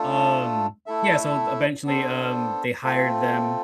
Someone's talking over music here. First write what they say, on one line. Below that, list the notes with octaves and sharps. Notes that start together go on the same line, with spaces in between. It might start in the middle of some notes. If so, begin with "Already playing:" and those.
um, yeah, so, eventually, um, they hired them
Already playing: A3 D4 F4 A4
A3 E4 A4 E5
B3 D4 A4 C5
A3 C4 F4 A4